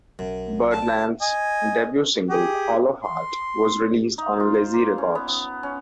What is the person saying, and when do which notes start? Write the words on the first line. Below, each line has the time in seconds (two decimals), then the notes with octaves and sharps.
Birdland's debut single "Hollow Heart", was released on Lazy Records.
0.19 B1 F#2
0.71 A5
1.21 D#5 G#5
2.30 G4 G#4
3.03 C6
4.18 D#4
4.40 F4
4.54 C5
4.74 A#3
4.98 C#4
5.15 B3
5.28 B3
5.63 C#4